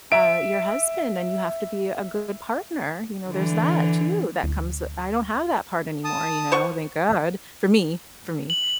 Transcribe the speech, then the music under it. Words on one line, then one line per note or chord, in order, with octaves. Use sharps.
uh, your husband, and you have to be a good partner, you know, there's that, too, that comes w I don't have that partner anymore, you know, thank God for me, for me,
E5 D7
D3 E3
D2
A5 D#6
C5 F#5 C#6
F#7